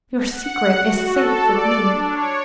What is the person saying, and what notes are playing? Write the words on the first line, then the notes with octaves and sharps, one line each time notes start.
Your secret is safe with me.
F#5
F#4
A4
D5
D4
C#5